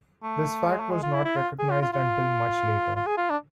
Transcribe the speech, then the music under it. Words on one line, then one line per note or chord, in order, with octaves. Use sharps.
This fact was not recognized until much later.
A3
G#3
A3
G#3
F4
E4
E4
F4
G#4
F4
F4
F4
F4
G#4
F4
D4